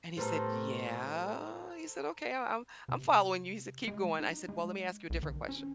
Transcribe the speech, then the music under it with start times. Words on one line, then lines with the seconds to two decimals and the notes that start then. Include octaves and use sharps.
And he said, "Yeah," he said, "Okay, I'm I'm I'm following you." He said, "Keep going." I said, "Well, let me ask you a different question."
0.17 A2 G3 B3 A4 A#4 C5
2.88 C3
3.88 G#3
4.20 D#4
4.49 G#3
5.10 B1
5.23 D#3
5.49 C#4